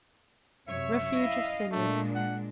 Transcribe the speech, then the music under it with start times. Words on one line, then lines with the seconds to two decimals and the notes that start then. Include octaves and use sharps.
Refuge of sinners.
0.68 F#2 C3 C#5 E5
1.14 E4 D#5 F5
1.71 A#2 G#3 A3 D4
2.15 F#5